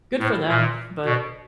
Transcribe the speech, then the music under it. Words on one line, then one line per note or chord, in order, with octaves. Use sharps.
good for them. But
A2
A#2
B2